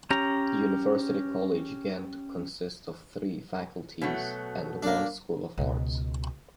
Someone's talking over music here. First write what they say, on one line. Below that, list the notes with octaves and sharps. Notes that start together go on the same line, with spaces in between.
University College Ghent consists of three faculties and one School of Arts.
C#4 G4 A#5
B2 F#3 A3
A#3 D4
C#2 B2